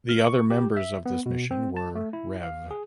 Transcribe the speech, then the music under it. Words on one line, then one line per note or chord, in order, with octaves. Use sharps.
The other members of this mission were Rev.
F6
C#6
G4
E5
B3
B2
C4
A5
A3
E4
F5
G#4